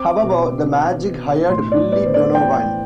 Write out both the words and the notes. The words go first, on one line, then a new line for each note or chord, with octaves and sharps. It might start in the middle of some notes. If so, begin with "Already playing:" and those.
However, the Magic hired Billy Donovan.
Already playing: C4 D6
B2
C4
B2
A2 C6
D5
B3 D5
C5
D5
E3 G5